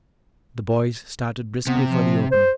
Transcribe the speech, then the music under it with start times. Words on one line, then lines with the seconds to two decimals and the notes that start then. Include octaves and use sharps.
The boys started briskly for the opening.
1.67 C3 B3
1.87 F3
2.32 C5